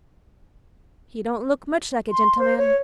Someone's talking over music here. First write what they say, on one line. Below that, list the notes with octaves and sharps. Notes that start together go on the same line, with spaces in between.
"He don't look much like a gentleman."
C6
C5
C#5